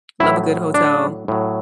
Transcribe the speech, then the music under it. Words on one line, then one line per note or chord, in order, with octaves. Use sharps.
love a good hotel,
A2 F#3 E4
D4
A2 F#3